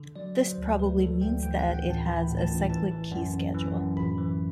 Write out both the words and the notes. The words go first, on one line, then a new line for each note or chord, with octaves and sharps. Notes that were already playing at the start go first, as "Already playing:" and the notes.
This probably means that it has a cyclic key schedule.
Already playing: D3
F#3 D5
F#3
C5
D2
D2 B4
F#3 A4
D2 G5
E3 G5
A1 F#5
G5
A1
A5
E3 B5
A2
A5
A1
E3 A5
E3
F#2
F#2
E3
F#2
A1 B5
E3